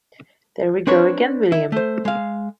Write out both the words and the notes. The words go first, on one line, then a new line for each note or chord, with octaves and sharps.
There we go again, William!
C4 D4 B4 C#5
E4
A3 C5
G#3 F5